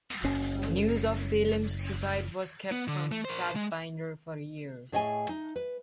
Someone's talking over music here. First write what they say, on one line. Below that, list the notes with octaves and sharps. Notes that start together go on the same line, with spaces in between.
News of Salem's suicide was kept from Fassbinder for years.
F#1 C#4
B3
D3
A3
A#4 C5
G#3
A2 G#4 C#5 D#5 F#5 G#5
D#4
B4